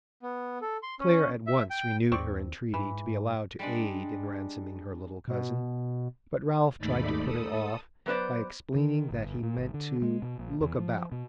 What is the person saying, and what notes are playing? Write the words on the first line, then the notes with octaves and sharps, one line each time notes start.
Clare at once renewed her entreaty to be allowed to aid in ransoming her little cousin, but Ralph tried to put her off by explaining that he meant to "look about."
B3
A4
C6
C#4
E5
G5
D#2 C4 D5 C#6
G#2 E3
G3 G#3 D4
B2
D#2 G#2 A3 D#4 D5 B5
A4 D#6
F#3 B3 B4 C5 D5
D#3
G1
A#2
G#1
D3
G#3
B2
A#1
E2
F3
B2